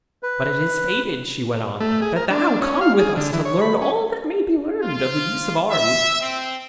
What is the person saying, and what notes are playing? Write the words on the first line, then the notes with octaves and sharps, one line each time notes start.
But it is fated,' she went on, 'that thou come with us to learn all that may be learned of the use of arms.
B4
A3
G#4
A#4
D4
C#4
F5
G#4
D3
E3
C#5
B5
C#4
F4
E5
C4